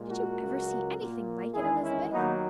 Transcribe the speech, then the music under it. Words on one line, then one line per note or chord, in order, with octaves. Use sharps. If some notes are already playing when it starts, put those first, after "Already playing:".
"Did you ever see anything like it, Elizabeth?"
Already playing: A#2 G#3
F#4 A#4
C#2 C#3 F#3
A#2 A#3
E2 D#3 G#3 E4 G#4
C#4 E4
D#2 D#3 F#3 A#3 B3 D#4